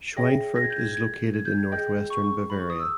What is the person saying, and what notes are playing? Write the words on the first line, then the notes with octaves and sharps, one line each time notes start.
Schweinfurt is located in northwestern Bavaria.
G#4 C#5 E5 G5 A#6
A#6
G#6
G6
G#6
G#6
G#6
G6
G#6
G#4 D#5 G5 G6
C#6
C#6
B5
C#6
D#6
E6